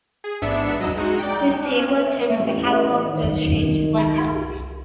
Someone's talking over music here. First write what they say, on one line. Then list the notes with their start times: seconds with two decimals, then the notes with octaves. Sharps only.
This table attempts to catalogue those changes.
0.24 G#4
0.42 A1 G#2 B3 D4 E5 C#7
0.80 F#3 D#5 E6
0.96 G#3 D#4 F#4
1.19 D5 G5
2.39 A1
3.09 D#3